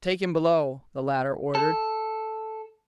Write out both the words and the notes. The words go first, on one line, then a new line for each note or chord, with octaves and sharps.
"Take him below!" the latter ordered.
A4